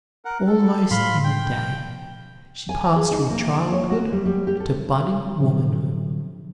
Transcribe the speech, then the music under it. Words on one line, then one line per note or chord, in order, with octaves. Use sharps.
Almost in a day she passed from childhood to budding womanhood.
A#4 F#5
A4
A2 F3 F5 B5 C6
G5
G#5
G#4
D#4
A#3
D4
C#5
F#4
G3
G3
G4
A4
A2 D3 F3 F#3